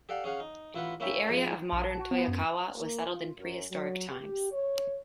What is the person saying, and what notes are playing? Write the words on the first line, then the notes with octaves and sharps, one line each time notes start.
The area of modern Toyokawa was settled in prehistoric times.
G4 A4 D5 F5 F#5
C#4 G#4 F5 F#5
D#4
A1 E4 F4 B4 F#5
A#3 C#4 E4 C#5 E5 G5
G#2 F3
A#1
A5
F#4
B3
F#2
A#3
F4
F#2
F#3
G4
C#5